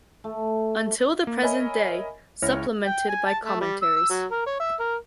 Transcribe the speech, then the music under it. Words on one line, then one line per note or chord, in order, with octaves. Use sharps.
Until the Present Day, Supplemented by Commentaries.
A3
A#3
A#4 C#5 D#5 E5 G#5 B5
C#2 E4 C#5 F6 A#6
G5
G#5
A5
A3
G3
E6
E6
F#3
A#4
C#5
E5
A#4